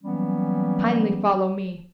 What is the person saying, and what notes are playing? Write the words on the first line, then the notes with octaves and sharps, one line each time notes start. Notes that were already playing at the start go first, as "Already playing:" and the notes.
"Kindly follow me."
E3 F#3 G3 A#3 B3 C#4